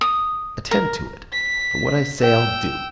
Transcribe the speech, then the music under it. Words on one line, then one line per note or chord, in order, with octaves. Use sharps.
Attend to it; for what I say I'll do.
D#6
A#4
B6
G5 E6